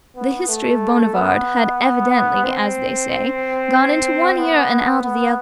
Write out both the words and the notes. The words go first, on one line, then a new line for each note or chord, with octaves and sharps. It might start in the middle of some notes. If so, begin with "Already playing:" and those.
The history of Bonivard had evidently, as they say, gone into one ear and out of the other.
B3
A3
B3
C4
B3
B3